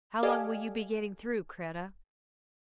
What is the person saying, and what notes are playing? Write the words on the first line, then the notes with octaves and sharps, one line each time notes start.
"How long will you be getting through, Kreta?"
G4 A4 D5 D#5 F5 G#5